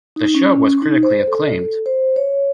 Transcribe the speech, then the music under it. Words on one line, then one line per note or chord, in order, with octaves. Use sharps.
The show was critically acclaimed.
D#4
C#4
D#4
C5
A4
C5
C#5